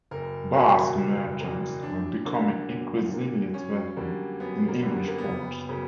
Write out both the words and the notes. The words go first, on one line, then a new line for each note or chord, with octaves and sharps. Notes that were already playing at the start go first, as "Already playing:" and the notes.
Basque merchants were becoming increasingly threatened in English ports.
F#1 A#4
E2 B2 A#3
F#1
E2 B2 A#3
F#2 D4
D3 A#3
F#2
D3 A#3
F#2 C#4
D3 G3 A#3
F#2 B3
A#3
D3 G3
B3
A#3
B3
F#1
C#3 F#3 A#3